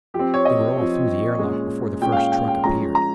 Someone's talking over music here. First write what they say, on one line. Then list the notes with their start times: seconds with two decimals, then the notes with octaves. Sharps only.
They were all through the air lock before the first truck appeared.
0.14 F3 G4
0.19 C4
0.34 C#5
0.45 D#5
0.77 F3 C4
1.39 A#2 G#3 C#4
2.01 A#2 G#3 C#4 G5
2.12 F5
2.17 G5
2.32 G5
2.48 G5
2.64 F3 G#3 C#4 A#5
2.95 A#5